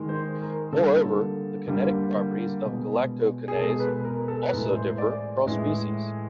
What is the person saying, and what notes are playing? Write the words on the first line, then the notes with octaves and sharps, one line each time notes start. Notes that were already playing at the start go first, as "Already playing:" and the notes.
Moreover, the kinetic properties of galactokinase also differ across species.
Already playing: D#3 G#3
C5
A#4
D3 G3 A#3 A4
D3 G3 A#3
B2 G#3
G#4
B2 G#3 A4
B4
A#4
A4
B4
A2 E3 G#3 A#4
C5
D5
A2 E3 G#3